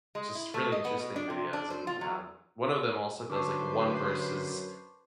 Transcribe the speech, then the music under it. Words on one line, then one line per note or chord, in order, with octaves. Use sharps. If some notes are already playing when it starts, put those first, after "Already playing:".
just really interesting videos, and, um, one of them also does, like, one versus
G#3
E4
A3
D#5
B3
B2
D4
C3
D4
C5
F4
F#3
F#2 D3 B4 C5 A5 C#6 D6